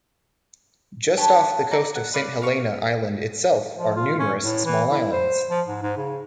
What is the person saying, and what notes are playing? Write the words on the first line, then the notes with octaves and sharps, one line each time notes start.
Just off the coast of Saint Helena island itself are numerous small islands.
D4 G4 C#5 A5
D#4 D5 A#5
F#5
B4 C#5 D5 F5
F5 C#6
F3
F4
C#4
A2
E3
E4
C5
F3
G#2
G#2
C#3